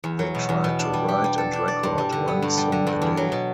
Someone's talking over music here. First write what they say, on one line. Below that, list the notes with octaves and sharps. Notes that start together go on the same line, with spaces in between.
They tried to write and record one song a day.
E2
F#3
B2
E2
B2
D4
G3
G4
G3
A4
D4
D5
G2
G3
D3
B3
G2
G3
D3
G2
E2
F#3
B2